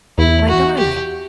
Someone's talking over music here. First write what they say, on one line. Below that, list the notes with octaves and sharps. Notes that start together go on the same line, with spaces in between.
"My darling!"
E2 E4
F#4
G4